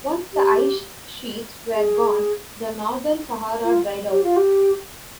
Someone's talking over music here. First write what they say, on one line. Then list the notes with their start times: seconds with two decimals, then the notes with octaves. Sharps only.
Once the ice sheets were gone, the northern Sahara dried out.
0.33 G4
1.75 G#4
3.64 F4
4.11 G4
4.24 F4
4.36 G4